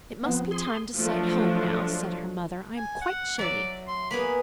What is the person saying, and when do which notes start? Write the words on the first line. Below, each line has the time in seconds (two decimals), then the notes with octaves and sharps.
"It must be time to sight home now," said her mother; "I am quite chilly."
0.25 F3 B3 C4
0.51 G#4 C6
0.95 F3 F#3 A3 D4
2.77 G#5
3.01 F#5
3.39 F#3 D5 E5
3.87 C6
4.11 A#3 B3 G#4 B5